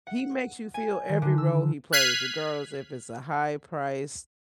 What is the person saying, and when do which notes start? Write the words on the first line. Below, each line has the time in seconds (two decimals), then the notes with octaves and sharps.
He makes you feel every role he plays, regardless if it's a high priced
0.07 F#5
0.74 G#5
1.09 D#3
1.22 D3
1.38 E6
1.93 F6 F#6 G#6 B6 C7 D#7